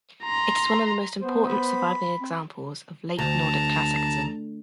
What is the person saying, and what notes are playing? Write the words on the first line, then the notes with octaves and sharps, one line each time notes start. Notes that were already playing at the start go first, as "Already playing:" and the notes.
It is one of the most important surviving examples of late Nordic Classicism.
A#5 C6
B3 C5
B5
C4
D2 A5 A#5